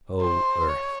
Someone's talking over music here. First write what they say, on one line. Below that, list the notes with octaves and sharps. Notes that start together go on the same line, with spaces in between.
Oh, earth!
C5
C#5